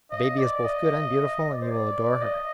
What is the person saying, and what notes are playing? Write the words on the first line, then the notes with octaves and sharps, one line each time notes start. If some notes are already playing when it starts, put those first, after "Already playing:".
The baby is both good and beautiful, and you will adore her.
D#5
D5
D#5
D#5
D5
C5
D5
D#5